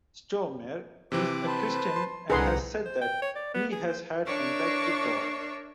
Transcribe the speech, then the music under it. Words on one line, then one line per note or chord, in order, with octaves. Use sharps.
Stormare is a Christian and has said that he has had contact with God.
C3 E3 C4 D6
B4 C5 A5
C6
C2 D3 G#4 B4 F#5 A#5 C6
G#3
C5
G5
C#5
D5
B3
G#4
C5
D4 A#4 C#5 D5 E5 C#6